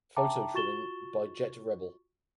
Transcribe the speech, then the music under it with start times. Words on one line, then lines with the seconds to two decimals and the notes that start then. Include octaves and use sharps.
Photo trimming by Jett Rebel.
0.16 E5 G5 A5 A#5 D6
0.54 F4 F#4 C#6 A6 E7 G7